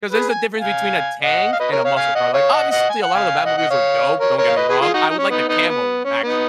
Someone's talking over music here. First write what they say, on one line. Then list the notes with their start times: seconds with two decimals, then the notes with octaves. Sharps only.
'Cause there's a difference between a tank and a muscle car. Like, obviously, a lot of the Batmobiles are dope. Don't get me wrong. I would like the camo one, actually.
0.11 G#4 B4
0.30 G#5
0.56 F5 G#5
1.22 D#5 F#5
1.53 F5
1.59 B4 D#5
1.71 A#4 C#5
1.84 C#5 F5
1.96 F5 G#5
2.15 D#5 F#5
2.34 C#5 F5
2.52 D#5 F#5
2.71 D#5 F#5
2.89 G#5
3.02 F#5
3.14 F5 G#5
3.45 D#5 F#5
3.57 D#5 F#5
3.70 C#5 F5
4.20 A#4 C#5
4.37 A#4 C#5
4.48 F5
4.57 B4 D#5
4.69 G#4 B4
4.81 F4 G#4
4.94 D#4 F#4
5.10 D#4
5.18 C#4
5.30 B3 D#4
5.49 B3 D#4
5.68 B3
6.04 C#4
6.23 B3 D#4